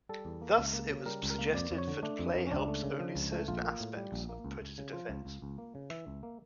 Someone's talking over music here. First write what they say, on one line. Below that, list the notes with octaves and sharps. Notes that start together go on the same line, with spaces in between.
Thus, it was suggested that play helps develop only certain aspects of predator defence.
G3 A4
E2
A#3
C#2
A#3
C#3
G3 A#4
C#2
A#4
A#3
F2 D5
F2
C#5
D3
A3 D4
F2
F2
C#4
C#2 D4
A3
C#3
F3
C#2
A3
A#1 F4
A#3
A2
G3
A#1
A#3
C#2
C#2
C#3
F3 F4
C#2
C#2
C#2
A#3
C#3
E3 E5
C#2
A#3